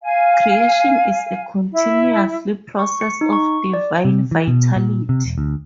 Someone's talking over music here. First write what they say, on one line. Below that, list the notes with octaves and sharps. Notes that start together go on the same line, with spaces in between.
Creation is a continuous process of Divine vitality.
F5 G#5
E4
C#6
C#7
D#4
C#6
D5
C3
E3
B2
A#2
C3
E1
D2